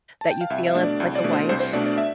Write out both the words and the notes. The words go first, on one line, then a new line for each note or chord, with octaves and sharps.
that you feel as like a wife,
A5
G5
F5
C2 E5
E5
B2 A3 D4
D5
C2
D5
B2 A3 D4
C5
C2 C5
C5
B2 A3 D4 D5
D5
E5